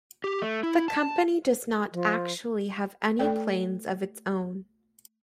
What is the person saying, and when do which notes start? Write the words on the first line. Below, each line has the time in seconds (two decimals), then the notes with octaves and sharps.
The company does not actually have any planes of its own.
0.24 G4
0.42 A3
0.63 E4
0.88 A5
1.92 F3
3.19 A3 A4 D5 G5